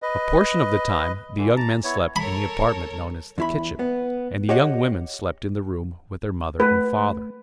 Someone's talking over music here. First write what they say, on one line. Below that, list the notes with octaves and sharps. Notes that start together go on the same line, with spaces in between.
A portion of the time the young men slept in the apartment known as the kitchen, and the young women slept in the room with their mother and father.
B4 D#5
D3 E3
A5 A#5
B3 E4 C#5
A4 A#4 C#5 B5
E2 E4 B5
B3
G4 C#5 D#5 F#5
A3 B4